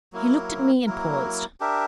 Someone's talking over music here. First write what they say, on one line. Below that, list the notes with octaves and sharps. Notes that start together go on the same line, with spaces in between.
He looked at me and paused.
F#3 A#3 E4 A#4
F#3 A#3 E4 A#4
D4 G4 A#4 E5